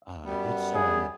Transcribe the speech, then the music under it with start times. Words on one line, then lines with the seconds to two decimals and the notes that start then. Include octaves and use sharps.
uh, it's um,
0.24 F#2 G3 B3
0.74 G#4